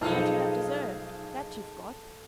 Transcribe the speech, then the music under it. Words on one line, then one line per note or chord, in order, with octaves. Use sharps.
What you have deserved, that you've got.
B1 F3 G#3 D#4 A4 F5